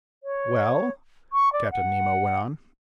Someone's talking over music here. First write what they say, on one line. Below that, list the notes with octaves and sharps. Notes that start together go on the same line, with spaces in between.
"Well?" Captain Nemo went on.
C#5
C#6
D5
F#5